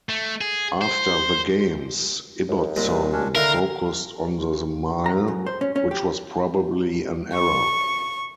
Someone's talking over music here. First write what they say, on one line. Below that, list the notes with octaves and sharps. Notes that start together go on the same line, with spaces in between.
After the games, Ibbotson focused on the mile, which was probably an error.
A3
G#4
C5
D#2
C2 A#2 G#3
C#4 D4
D3 D#3 E4 A#4 F5 A#5
A#5
F#2
C5
C#4
C#4
G4
C#6